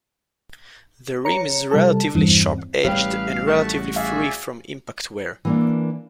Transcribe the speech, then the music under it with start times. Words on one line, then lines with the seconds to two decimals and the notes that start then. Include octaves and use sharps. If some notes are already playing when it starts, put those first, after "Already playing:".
The rim is relatively sharp-edged and relatively free from impact wear.
1.25 C#5 A#5 C#7
1.71 C3 G3 A4 A5
2.15 E2 G2 E3 C4
2.84 A1 G3 B4 C#5 F5 G5
3.47 A3 F#4 A5
3.96 G#4 D5 E5 F5
5.45 E3 A#3 D4